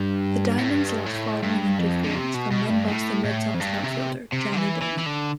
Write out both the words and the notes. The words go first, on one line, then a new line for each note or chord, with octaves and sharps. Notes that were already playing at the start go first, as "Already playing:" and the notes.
The Diamonds lost following interference from then-Boston Red Sox outfielder Johnny Damon.
Already playing: G2
A2
G2
A2
G2
F2
D3
C3
B2
B2
G2
A2
A2
F2
G2
C3
C3
D3
E3
E3
E3
D3